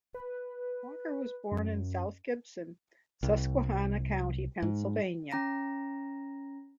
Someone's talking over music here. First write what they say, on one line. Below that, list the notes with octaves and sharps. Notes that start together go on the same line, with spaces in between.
Walker was born in South Gibson, Susquehanna County, Pennsylvania.
B4
F#2
C2
G#2
C#4 A#5 A#6